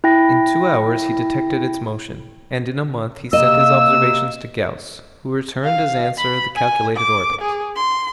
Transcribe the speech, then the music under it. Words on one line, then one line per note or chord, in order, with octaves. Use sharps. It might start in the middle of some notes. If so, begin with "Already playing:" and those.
In two hours he detected its motion, and in a month he sent his observations to Gauss, who returned as answer the calculated orbit.
E4 G5 A#6
C3 A#3 D#5 E6
F5
B5
G#5
D6
G#4
C6